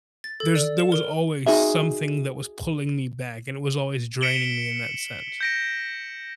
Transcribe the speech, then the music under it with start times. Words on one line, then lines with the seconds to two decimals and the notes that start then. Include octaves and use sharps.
there's there was always something that was pulling me back and it was always draining me in that sense.
0.24 A6
0.40 A4
0.55 D5
0.78 E7
0.92 A#4
1.46 D#4 F#4 G#4 E5
4.21 B6 C#7 D7 E7 F#7 G7
5.41 G6 A#6 D7